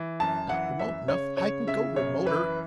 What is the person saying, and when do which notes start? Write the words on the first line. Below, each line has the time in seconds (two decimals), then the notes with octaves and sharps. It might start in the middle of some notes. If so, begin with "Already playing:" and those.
If not remote enough, I can go remoter.
Already playing: E3
0.20 F#2 A5
0.49 E3 F#5
0.79 F#2 E5
1.08 C#3 C#5
1.37 C#3 C#5
1.67 C#3 E5
1.96 F#2 C#5
2.26 E3 B4